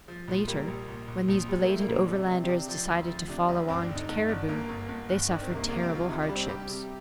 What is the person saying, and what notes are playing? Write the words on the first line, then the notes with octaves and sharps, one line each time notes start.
Later, when these belated Overlanders decided to follow on to Cariboo, they suffered terrible hardships.
F3
A#1
G3 A#3
A#1
A#1
A#1
A#1
G3
A#3
G3 A3
A#3
A#1
D4
C3
C3
C4
C3 D4
F3
D2
F3
C3 D4
D2
G1 C4
D4
D3
D#4
G1 D#4
G1 D4
G1 A#3
G1
G1
G1
D#3 D4
C4
C2
A#3
C2 A#3
C4
C3
F4
C2 D#4
D4
G3
C4
G3 G4
C3